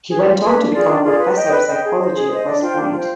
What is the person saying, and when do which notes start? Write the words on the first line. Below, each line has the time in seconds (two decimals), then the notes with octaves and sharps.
He went on to become a professor of psychology at West Point.
0.09 G#4 B4
0.24 F4
0.41 G#4 B4
0.56 D4
0.71 F4 G#4 D5
0.88 D4
1.04 F4 G#4 D5
1.19 B4
1.35 D#5 G5
1.51 B4
1.66 D#5 G5
1.82 G#4
1.98 C5 D#5
2.13 G#4
2.29 C5 D#5
2.46 D4
2.61 F4 C5 G5
2.77 D4
2.93 F4 C5 G5